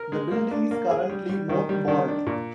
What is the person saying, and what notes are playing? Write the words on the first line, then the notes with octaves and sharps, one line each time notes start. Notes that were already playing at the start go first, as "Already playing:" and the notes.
The building is currently mothballed.
Already playing: A#4
G#3
A#3
D4
A#3
G#4
G3
G3
D#3
G3
D#3
D4
A#2